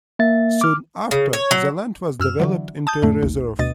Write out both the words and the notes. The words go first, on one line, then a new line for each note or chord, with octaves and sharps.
Soon after, the land was developed into a reserve.
A#3 E5 A6
D6 F6
C#3
C#5
F#3
F#2 E6 F6
D3 E3 F#3
A5 D#6 G6
F2 A2 D3 A3
A1 D#2
D2 B2 D#5 A6